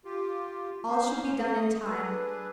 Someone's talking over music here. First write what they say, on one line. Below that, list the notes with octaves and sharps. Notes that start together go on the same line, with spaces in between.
All should be done in time.
F4 G4
C#4 C5
A4 D#6
D4 G#4 B4 E6